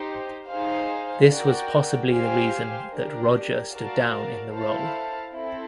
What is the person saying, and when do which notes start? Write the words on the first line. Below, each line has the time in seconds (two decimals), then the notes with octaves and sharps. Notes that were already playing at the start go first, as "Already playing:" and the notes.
This was possibly the reason that Rodger stood down in the role.
Already playing: D#4 G4 C5
0.47 D#4 G#4 C5 F5
1.29 F#4 A#4 D5 G5
2.10 G4 C5 F5 G#5
2.91 D4 G4 A#4
3.71 F#4 A#4 D5 F5 A5
4.52 E4 A4 C5 F5 A5
5.34 C4 E4 A4